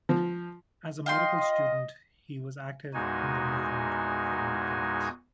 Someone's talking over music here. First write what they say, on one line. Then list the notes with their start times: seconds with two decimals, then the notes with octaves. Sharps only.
As a medical student he was active in the movement for independence.
0.09 F3
1.06 F4 D#5 G5 C6
2.94 E2 A#2 G#3 D#4 F#4 G#5